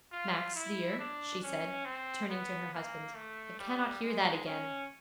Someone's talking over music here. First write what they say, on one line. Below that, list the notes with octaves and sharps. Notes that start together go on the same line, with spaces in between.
Max, dear,' she said, turning to her husband, 'I cannot hear that again.
F4
E4
D4
C#4
C4
B3
A#3
A3
G3
G#3
C#4